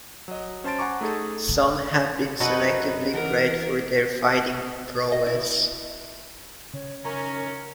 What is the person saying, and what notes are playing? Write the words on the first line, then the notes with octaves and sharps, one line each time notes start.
Some have been selectively bred for their fighting prowess.
F#3 D#5
C#4 C5 A5 C6 A6 D7
F#5 G#5 A#5 C#6 D6
A3 D#4 G#4 A4
F#2 D#4 F#4 A4 B4 D#5
E3 A#4 F#5
D#5
E4
C#3 C#5
F#2 D#3 C#4 A#4 A#5 C#6 G#6